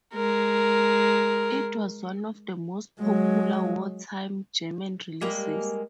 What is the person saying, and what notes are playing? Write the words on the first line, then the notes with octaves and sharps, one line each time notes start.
It was one of the most popular wartime German releases.
G#3 A#4
F#3 G#3
G3 G#3 A#3